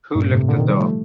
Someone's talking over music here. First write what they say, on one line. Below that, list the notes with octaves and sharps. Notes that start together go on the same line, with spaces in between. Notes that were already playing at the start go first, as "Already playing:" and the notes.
Who locked the door?
G2 A#2
A2 C3
A#2 D3
C3 D#3
D#3 G3
F3 A3